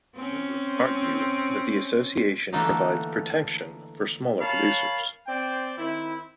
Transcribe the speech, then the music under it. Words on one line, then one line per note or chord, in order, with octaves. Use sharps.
Members argue that the association provides protection for smaller producers.
C4 C#4
D3 E3 A3 A#3 D4 D#4
A#4 C#5 F5 A5 B5
C4 D5 G5
D#3 C4 E4